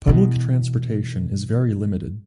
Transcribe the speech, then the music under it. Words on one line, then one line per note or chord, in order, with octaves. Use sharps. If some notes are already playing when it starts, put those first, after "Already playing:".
Public transportation is very limited.
B2 E3